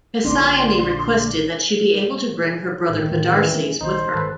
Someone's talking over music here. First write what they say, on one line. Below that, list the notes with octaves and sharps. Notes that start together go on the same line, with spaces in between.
Hesione requested that she be able to bring her brother Podarces with her.
A#1 A#2 D3 C4 D4 D5 C6
A1 G#2 D#3
E2 A2
F#2 E3
F#3 A#3 C4
A#1 D#3 D#4 C5
G1 G#2 D#3 A4 B4